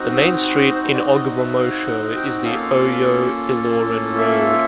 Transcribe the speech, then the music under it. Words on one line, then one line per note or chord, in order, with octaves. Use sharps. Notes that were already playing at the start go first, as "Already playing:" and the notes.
The main street in Ogbomosho is the Oyo-Ilorin road.
Already playing: C4 D#4 F#4
C5
D5
D#5
E5
F5
F#5
G5
A#3 C#4 F4 A4 F5
E5